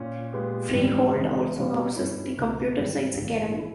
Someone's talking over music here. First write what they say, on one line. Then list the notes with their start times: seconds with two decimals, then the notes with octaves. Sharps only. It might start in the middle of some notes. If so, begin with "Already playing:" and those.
Freehold also houses the Computer Science Academy.
Already playing: A#2 C#4
0.33 A#2 G#3 B3 G4
0.73 G#2 E3 G3
1.15 E1 E2 C#3 G#3
1.55 B2 G3 A#3 C#4
1.96 G2 G3 C#4 E4
2.37 C#2 B2 G#3
2.78 G#2 E3 G3 C#4 E4
3.19 A#1 G#2 E3 A#3
3.59 E4